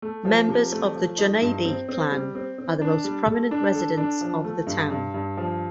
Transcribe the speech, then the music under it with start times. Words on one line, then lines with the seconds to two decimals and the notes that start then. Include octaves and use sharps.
Members of the Joneidi clan are the most prominent residents of the town.
0.02 A3
0.25 F3
0.49 C3
0.72 A3
0.96 F3
1.18 D#4
1.42 G2
1.65 C4
1.89 C4
2.11 G3
2.35 C4
2.58 C4
2.81 D4
3.04 G3
3.28 A4
3.51 D4
3.74 A4
3.97 D4
4.21 F3
4.44 A3
4.67 G2
4.91 G2
5.14 G2
5.37 F3